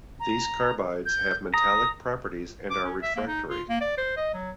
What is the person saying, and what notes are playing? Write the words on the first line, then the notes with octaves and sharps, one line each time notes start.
These carbides have metallic properties and are refractory.
A#5
G6
A#5 D#6
D6
C#4
E5
A#3
D#4
F4
A#3
D5
C5
D#5
F#3